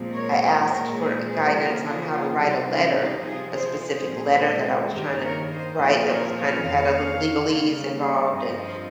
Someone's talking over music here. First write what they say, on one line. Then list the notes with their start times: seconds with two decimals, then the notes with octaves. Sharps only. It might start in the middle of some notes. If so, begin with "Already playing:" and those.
I asked for, uh, guidance on how to write a letter, a specific letter that I was trying to wr write that was kind of had a little legalese involved, and
Already playing: A#2 F3 G#3 C4
0.12 A#4 C#5
0.41 C5 D#5
0.69 A#2 G#3 C4 A#4 C#5
0.97 G#4 C5
1.26 G#4 C5
1.54 C#3 F3 A#3 G4 A#4
1.82 F4 G#4
2.11 F4 G#4
2.39 C3 G3 C4 D#4 G4
2.69 C#4 F4
2.96 D#4 G4
3.24 C3 F3 C4 F4 G#4
3.53 G#4 C5
3.81 G#4 C5
4.09 A#2 G#3 C4
4.94 G2 D#3 A#3 G4 A#4
5.22 A#4 C#5
5.51 C5 D#5
5.79 A#2 F3 C4 C5 D#5
6.07 A#4 C#5
6.36 C#5 F5
6.65 F2 D#3 A#3
7.50 C#3 G3 A#3
8.34 G2 F3 C4 C5 D#5